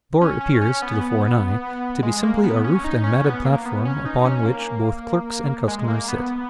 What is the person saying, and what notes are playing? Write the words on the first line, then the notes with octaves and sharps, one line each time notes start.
The store appears, to the foreign eye, to be simply a roofed and matted platform upon which both clerks and customers sit.
C#4
C#4
C#4
B3
G#3
A#3
B3
C#4
D#4
C#4
B3
A#3
B3
C#4
D#4
C#4
A#3
G#3
G#3
A#3
B3